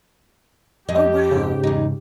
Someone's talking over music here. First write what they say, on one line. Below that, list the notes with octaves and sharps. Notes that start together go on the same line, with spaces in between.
Oh, wow.
F2 G4 D#5
G#2 C#3
E2 D#4